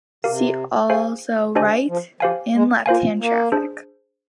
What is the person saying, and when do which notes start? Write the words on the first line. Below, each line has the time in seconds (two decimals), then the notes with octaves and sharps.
See also Right- and left-hand traffic.
0.24 C3 G4 A#4 F5
0.90 G#4 C5 F5 G#5
1.55 D3 D4 G4 C5 D#5 G#5
1.88 F3
2.20 F3 G4 C5 F5 G#5
2.53 G#3
2.86 A#3 F4 C5 F5 G#5
3.19 A#3
3.52 D4 G#4 C5